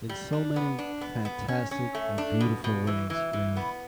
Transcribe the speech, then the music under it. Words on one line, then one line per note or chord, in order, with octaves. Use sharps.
In so many fantastic and beautiful ways, really.
G3
D4
B3
D4
B3
B3
C#4
C#4
A3
D4
B2
B2
E3
E3
E3
B3